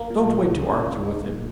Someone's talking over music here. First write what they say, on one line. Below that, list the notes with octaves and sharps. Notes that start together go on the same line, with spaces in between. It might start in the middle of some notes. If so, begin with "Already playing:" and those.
Don't wait to argue with him.
Already playing: A#3
A#2
G#3
C#2
C#3
C#2
D#4
A#2